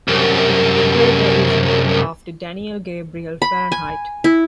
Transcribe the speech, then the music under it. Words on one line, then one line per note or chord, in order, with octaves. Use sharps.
The crater is named after Daniel Gabriel Fahrenheit.
C2 F#2
B5
G#5
E4